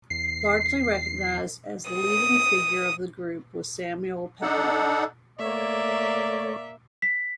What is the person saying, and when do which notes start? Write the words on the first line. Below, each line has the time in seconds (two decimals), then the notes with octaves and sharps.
Largely recognised as the leading figure of the group was Samuel Peploe.
0.10 E2 C7
1.93 D#6
4.42 D4 D#4 A4 F#5
5.39 A3 A#3 C#5 D5 E5
7.02 B6